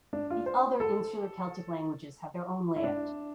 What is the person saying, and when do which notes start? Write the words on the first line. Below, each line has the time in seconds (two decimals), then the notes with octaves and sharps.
The other Insular Celtic languages have their own layout.
0.13 D4
0.30 F4
0.46 C5
0.80 A4
2.76 E4
2.84 D4